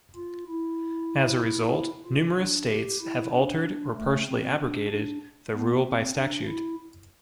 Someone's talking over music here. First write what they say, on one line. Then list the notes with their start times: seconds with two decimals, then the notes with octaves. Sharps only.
As a result numerous states have altered or partially abrogated the rule by statute.
0.16 F4
0.48 E4
2.05 F4
2.37 D4
2.69 G4
3.00 E4
3.32 D4
3.94 A3
4.26 C4
4.57 D4
4.90 D4
5.53 B3
5.84 C4
6.15 D4
6.47 E4